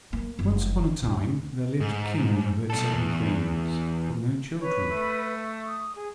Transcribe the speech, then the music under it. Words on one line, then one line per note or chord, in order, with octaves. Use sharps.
Once upon a time there lived a King who had seven Queens, but no children.
A#3
F#1
D2
G#2
B2 A4
E2
B4 C#5
A3
D#6
G#4